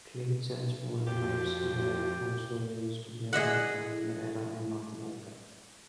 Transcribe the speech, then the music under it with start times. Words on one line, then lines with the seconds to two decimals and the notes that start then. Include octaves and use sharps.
Clay churchwarden pipes were also used during the pioneer era in North America.
1.07 F2 F#4 G4
3.33 G#4 D#5 E5 F#5